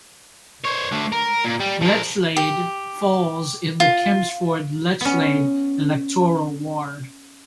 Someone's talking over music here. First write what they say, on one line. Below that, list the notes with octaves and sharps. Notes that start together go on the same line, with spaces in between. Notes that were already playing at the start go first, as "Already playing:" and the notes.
Lechlade falls in the Kempsford-Lechlade electoral ward.
C5 C#5
D3 A3
A#4
A#2
G3
F3 A#4
G4
F4
B3 C#4